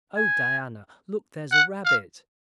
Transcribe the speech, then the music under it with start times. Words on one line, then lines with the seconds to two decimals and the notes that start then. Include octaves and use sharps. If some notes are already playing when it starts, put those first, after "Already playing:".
Oh, Diana, look, there's a rabbit.
0.16 G#5
1.52 F#5
1.85 F5